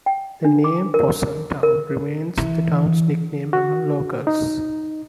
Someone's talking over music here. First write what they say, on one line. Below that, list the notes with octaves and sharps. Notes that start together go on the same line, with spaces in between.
The name Possum Town remains the town's nickname among locals.
G5
D4
D6
A#4
A#4
E3
F#4
D#4